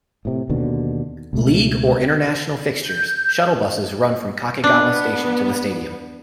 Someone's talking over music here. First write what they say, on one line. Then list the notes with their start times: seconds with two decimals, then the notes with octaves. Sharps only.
League or international fixtures, shuttle buses run from Kakegawa station to the stadium.
0.25 A2 C3
0.49 D#2 B2 D3
1.33 C#2 B2 A3
2.86 G6
4.64 B3 D4